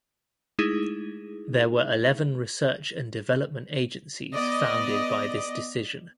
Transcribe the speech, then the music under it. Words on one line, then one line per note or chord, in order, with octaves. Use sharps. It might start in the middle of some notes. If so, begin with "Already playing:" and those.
There were eleven research and development agencies founded by this Decision.
G#3 A3 D#4 E4 G#4
B3 D5 D#5